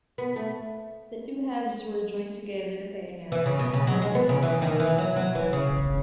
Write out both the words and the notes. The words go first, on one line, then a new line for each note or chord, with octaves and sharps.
The two halves were joined together by a narrow tendril in Waller County.
B3
A3
E3
C#3
B2
C#3
F#3
G#3
B3
C#3
E3
D#3
E3
F#3
F#3
E3
C#3